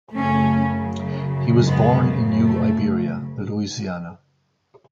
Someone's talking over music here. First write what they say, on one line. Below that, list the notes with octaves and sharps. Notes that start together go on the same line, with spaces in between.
He was born in New Iberia, Louisiana.
F#2 C#3 F#3 A3 C#4
G#3 B3
A3